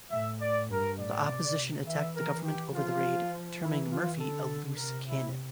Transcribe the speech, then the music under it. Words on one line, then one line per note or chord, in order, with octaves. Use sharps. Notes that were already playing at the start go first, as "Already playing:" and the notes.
The Opposition attacked the Government over the raid, terming Murphy a "loose cannon".
A2 E5
D5
G2 A#4
A2 D5
C3
C3
E3 E5
A#4
G4
F3 F4
E3 E4
F4
D3 A4
C3 A#4
E4